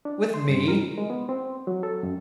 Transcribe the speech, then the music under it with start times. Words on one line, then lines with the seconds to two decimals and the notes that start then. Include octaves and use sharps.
"With me!"
0.05 D4
0.34 C6
0.48 G2
0.68 A#4
0.98 G#3
1.10 B3
1.29 C4
1.67 F#3
1.83 A4
2.03 F#2